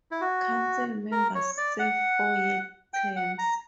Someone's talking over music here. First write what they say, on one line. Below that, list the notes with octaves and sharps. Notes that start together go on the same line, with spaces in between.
Council members serve four-year terms.
E4
F#4
A#4
C#5
D5
F#5
G5
F#5
A#5